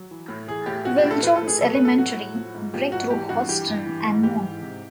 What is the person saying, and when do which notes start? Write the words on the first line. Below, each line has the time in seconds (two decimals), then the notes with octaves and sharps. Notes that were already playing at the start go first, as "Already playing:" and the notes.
Will Jones Elementary, Breakthrough Houston, and more.
Already playing: F#3
0.11 E3
0.29 A2
0.47 E3 G#4
0.66 A2 G4
0.85 F3 F#4
0.98 G4
1.04 A2
1.11 A4
1.23 F3 B4
1.35 A4
1.42 A2
1.47 G#4
1.61 F#3 A4
1.74 B4
1.79 A2
1.85 A4
1.98 F#3 F#4
2.17 A2
2.35 F3
2.55 G#2
2.74 F3 G4
2.92 G#2 F#4
3.10 E3 G4
3.29 G2 F#4
3.48 E3 G4
3.67 G2
3.85 E3
4.05 G#2
4.23 E3 G4
4.43 G#2
4.61 C3